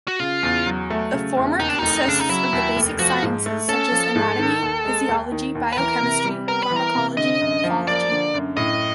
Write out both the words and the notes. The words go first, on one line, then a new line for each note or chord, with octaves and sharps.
The former consists of the basic sciences such as anatomy, physiology, biochemistry, pharmacology, pathology.
F#4
C#3 F4
E2
F#3
A3
C#3
E2
D#2 D#4
D4
F1 D#4
C#3 D4
D#4
F#3 E4
D#2
F1
F3 F#4
G#2
A3
C#4 A4
F3
G#2
D#3
D#2
G#3
D#2
D#3
D#2
B4
E3 A#4
C3
G3
B3 A#4
B4
E3
A#4
C3
D3 D#5
F#2
F3
A#3 D5
D3
F#2
A2 D#5